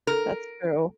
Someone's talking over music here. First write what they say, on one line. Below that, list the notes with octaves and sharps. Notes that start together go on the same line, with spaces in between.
that's true.
A#4